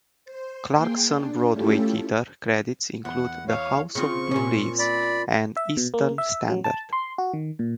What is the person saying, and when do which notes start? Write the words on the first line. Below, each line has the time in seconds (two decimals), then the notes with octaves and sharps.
Clarkson's Broadway theatre credits include "The House of Blue Leaves" and "Eastern Standard".
0.25 C5
0.74 A#3 G#4 G5 C6
1.11 D4
1.51 A3 C#4 E4 F4 G4 A4
3.05 E2 F#5
3.48 C#5 F5
3.95 C#3 C4 F4 C#6
4.31 A#2 C#4
4.79 D5 B5
5.57 E5
5.77 B2
5.94 A#3
6.18 E5
6.49 F#3
6.64 A5
6.93 C6
7.18 F#4
7.33 D#3
7.59 A#2